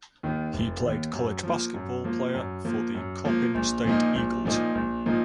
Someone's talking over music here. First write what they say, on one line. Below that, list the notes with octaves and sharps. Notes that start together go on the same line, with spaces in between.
He played college basketball player for the Coppin State Eagles.
D#2 D#3
F1
D#2 D#3
F#2
F3 A#3
F#2
F3 A#3
F#2
F3 A#3
F#2
F3 A#3
A#1
A#2 F3 A#3 D#4
A#1
A#2 F3 A#3 D#4
A#1
A#2 F3 A#3 D#4